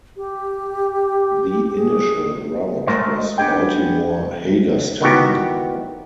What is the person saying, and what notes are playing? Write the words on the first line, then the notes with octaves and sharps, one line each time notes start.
The initial route was Baltimore-Hagerstown.
G4
G#4
G#3 A3 A#4 C5
D#5
B3 D4 G4 G#4 G5
D#3 E3 B3 D#4 F#4 G4